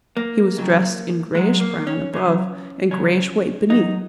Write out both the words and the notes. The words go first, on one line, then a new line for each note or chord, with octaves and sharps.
He was dressed in grayish-brown above and grayish-white beneath.
A#3
F2 C#3 F#3
G#2 F#3 G#3
A#3
C#4
C#2 C#3 F#3 C#4
C#2 C#3 F#3 C#4
G#2 F#3 D#4